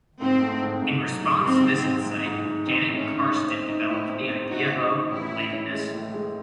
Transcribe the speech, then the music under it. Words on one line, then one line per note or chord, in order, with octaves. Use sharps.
In response to this insight, Janet Carsten developed the idea of "relatedness".
G#2 C4
A3
G#2
G#2
F#3
G#2
G#2 C4
G#2
G#2
G#2
G#2
G#2
C4 D#4
A2
C#4
D#4
D#4
C4
D#4
A2 E4
C4
C4
D#4 F#4
C4
D#4
A1 E4
A2
C#4
G#3
A2
G#3